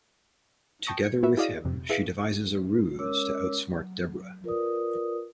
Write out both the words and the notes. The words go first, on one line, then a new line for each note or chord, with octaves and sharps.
Together with him, she devises a ruse to outsmart Debra.
G5 A5 C#6 D#6 A#6
G#6 C#7
B3 F#4 B4 E5
E4 F#4 G#4 D5 D#5 F5
F2 C3
E4 G#4 B4 F5 B6
G#3 C#4 A#4 C#5 D6 E6
F#3
F4 A#4 B4 D5 D#6